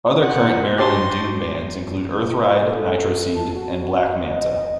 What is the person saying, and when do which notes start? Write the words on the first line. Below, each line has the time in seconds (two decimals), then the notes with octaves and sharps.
Other current Maryland doom bands include Earthride, Nitroseed, and Black Manta.
0.22 F#5
0.78 D4 D#4 F#4 G4 C6
2.63 A4
3.35 A5
3.54 F#4
4.15 D#5